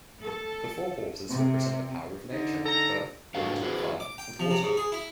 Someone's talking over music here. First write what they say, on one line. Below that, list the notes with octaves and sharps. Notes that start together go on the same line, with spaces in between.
The four horses represent the power of nature: earth, wind, fire and water.
A4
C3
D3 D#4
A4 A#5
G#2 D4 F#4 A4 B4 F5
E4 F#4 G#4 B4 C5
D6
G5
F3
C3
G#2
G#4
E4